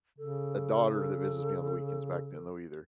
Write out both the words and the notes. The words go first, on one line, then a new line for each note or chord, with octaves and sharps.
a daughter that visits me on the weekends back then, though, either.
C#3 A4